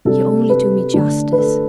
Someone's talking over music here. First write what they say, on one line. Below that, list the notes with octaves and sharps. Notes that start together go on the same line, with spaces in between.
'You only do me justice.
C3 G3 D4 A4
B4
D3 A3 D4
B4
A4